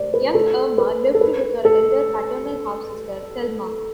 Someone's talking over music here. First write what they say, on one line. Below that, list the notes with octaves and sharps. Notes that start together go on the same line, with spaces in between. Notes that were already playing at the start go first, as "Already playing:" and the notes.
Young Erma lived with her elder paternal half-sister, Thelma.
Already playing: C5 D5
B4
A4
B4
A4
B4
A4